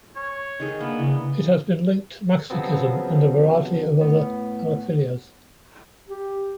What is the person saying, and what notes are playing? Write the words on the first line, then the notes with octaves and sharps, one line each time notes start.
It has been linked to masochism and a variety of other paraphilias.
C#5
D#3 G#4 A4
A#3 B3 D4
C#3 E3
C#3 F3 F#3 B3 C4
A2 B3
G4